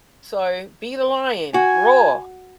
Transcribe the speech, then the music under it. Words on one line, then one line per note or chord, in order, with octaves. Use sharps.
So, be the lion, roar.
F#4 G#5